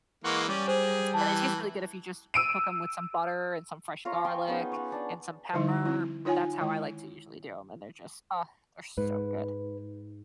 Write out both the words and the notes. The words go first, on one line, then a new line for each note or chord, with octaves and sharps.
Mhm, and it tastes really good if you just cook 'em with some butter, and some fresh garlic, and some pepper. That's how I like to usually do 'em, and they're just- ugh!- they're so good.
E3 G#3 A#3 F#5 C6 C#6
G3 C#4 D5
G#4 C5
E3 A5
E6 D7 D#7
F4 C#5 A#5
D#5 G5 G#5 C#6
B3 C#4 D#4 G#4
C#5 F#5
D4
D3 F3 G3 D#4 E4
C4 E4
D#4 F4 C#5 F#5 G#5
D#3 G#3 E4
G#2 B4